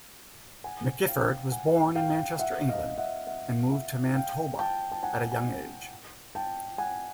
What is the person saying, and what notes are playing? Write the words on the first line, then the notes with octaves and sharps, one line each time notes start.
McGifford was born in Manchester, England, and moved to Manitoba at a young age.
F#5 G#5
F5 G5
F#5 G#5
F5 G5
E5 F#5
D#5 F5
E5 F#5
E5 F#5
E5 F#5
F5 G5
G5 A5
A5
F#5 G#5
F#5 G#5
G5 A5
F#5 G#5